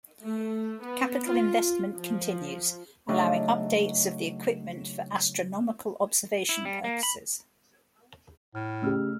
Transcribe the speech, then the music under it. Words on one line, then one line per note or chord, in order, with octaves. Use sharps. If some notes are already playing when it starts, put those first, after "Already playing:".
Capital investment continues, allowing updates of the equipment for astronomical observation purposes.
A3
B3
F4
F3
C#3 F#3 A3 D4 D#4
E4
G3
A#3
B5
A2 F6
C#3 A3 G4 E6 F6